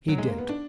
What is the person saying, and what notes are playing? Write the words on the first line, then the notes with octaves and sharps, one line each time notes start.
"He did."
F#3
G#3
A#3
B3
D4